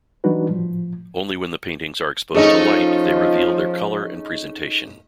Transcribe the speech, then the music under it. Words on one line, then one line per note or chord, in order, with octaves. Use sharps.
Only when the paintings are exposed to light they reveal their colour and presentation.
E3 G3 D4 D#4 F#4 B4
A2 F3
F3 A3 C#4 D#4 G#4 D#5